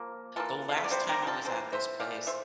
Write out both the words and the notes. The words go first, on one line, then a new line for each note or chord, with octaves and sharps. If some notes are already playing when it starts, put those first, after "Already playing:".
the last time I was at this place,
Already playing: F3 A#3
E3 A#3 F4 A4
F5
E5
D5
C3 G3 C5
G4 A#4
A#4
F4 A4
E3 A#3 A4 C5
C5 E5
E3 A3 D5 F5
C5 E5